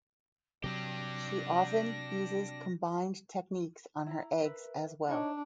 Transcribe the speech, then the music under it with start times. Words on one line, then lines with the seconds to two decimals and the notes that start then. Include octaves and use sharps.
She often uses combined techniques on her eggs as well.
0.64 C3 F#3 D4 G4 A#6
4.06 E4 A#5
4.40 A#4 B4 E5
5.09 D4 D#4 C#5